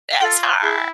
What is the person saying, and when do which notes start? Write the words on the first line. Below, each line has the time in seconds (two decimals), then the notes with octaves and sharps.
That's hard.
0.21 F4 A4
0.62 E4 G#4